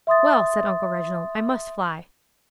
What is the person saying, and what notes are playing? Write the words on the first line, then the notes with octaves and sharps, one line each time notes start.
'Well,' said Uncle Reginald, 'I must fly.
E5 C6 D#6 A6